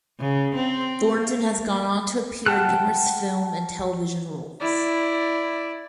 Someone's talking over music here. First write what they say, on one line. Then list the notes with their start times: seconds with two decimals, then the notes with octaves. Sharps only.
Thornton has gone on to appear in numerous film and television roles.
0.20 C#3
0.56 C4
1.18 A#3
2.46 F#5 G5 A5 F6 F#6
4.60 E4 D5